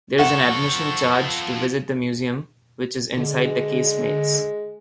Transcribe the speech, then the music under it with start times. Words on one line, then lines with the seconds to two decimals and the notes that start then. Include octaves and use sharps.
There is an admission charge to visit the museum which is inside the casemates.
0.19 F3 A4 F#5 C#6
3.17 D3 G#3